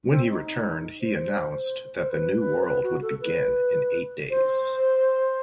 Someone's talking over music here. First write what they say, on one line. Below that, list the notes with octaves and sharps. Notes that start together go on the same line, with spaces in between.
When he returned, he announced that the New World would begin in eight days.
C4
D#4
C5
C5
B4
B4
C5
B4
F#4
A4
B4
C5